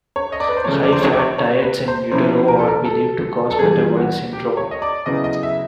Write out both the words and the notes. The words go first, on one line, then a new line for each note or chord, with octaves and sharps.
High fat diets in utero are believed to cause metabolic syndrome.
C#5
D#5
D5
B4
C5
C#3 F3 A3 C#5
D5
C5
C#5
D5
C#5
C#5
B4
C5
C3 F3 A#3 C#4 E4 C5
A#4
A4
A#4
A4
A4
G2 E3 G3 B3 G#4
F#4
G4
C#5
D#5
D5
C#3 F#3 B3 E4 D#5
D#5
E5